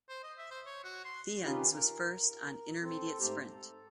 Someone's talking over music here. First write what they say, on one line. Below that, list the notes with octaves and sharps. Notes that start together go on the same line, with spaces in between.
Theuns was first on intermediate sprint.
C5
D#5
E5
C5
C#5
F#4
C6
D#3 C#4 D#4 F4 G4 B4
A#4
C4 A4
G#2 A3 G4 C5 A#5
A4